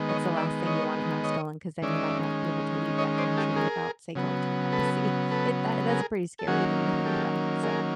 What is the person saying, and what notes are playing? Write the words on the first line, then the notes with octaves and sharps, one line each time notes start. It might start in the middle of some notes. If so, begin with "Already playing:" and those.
it's the last thing you wanna have stolen, 'cause then you might not be able to leave that country without, say, going to an embassy, it that that's a pretty scary thing to think about, so,
Already playing: D#3 G#3 B3
C#5 D#5
D5 E5
C#5 D#5
C#5 D#5
D#3 G#3 C#4 D5 E5
C#5 D#5
C5 D5
G4 A4
G#4 A#4
C#3 F#3 B3
A4 B4
A4 B4
G#4 A#4
A4
D#3 F#3 A#3 C#4 F#4 G#4
G4 A4
G#4 A#4